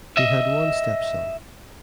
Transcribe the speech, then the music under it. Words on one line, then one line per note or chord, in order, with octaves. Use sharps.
He had one stepson.
D#5 E5